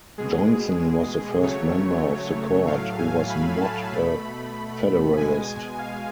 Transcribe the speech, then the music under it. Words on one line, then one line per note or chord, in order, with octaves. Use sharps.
Johnson was the first member of the Court who was not a Federalist.
B2 G#3 G#4
C#3 F#3 A3 C#5
A2 F#3 A3 F5
G#5
B5
A5
B2 A3 B5
B2 G#3 G#5
G#5
F5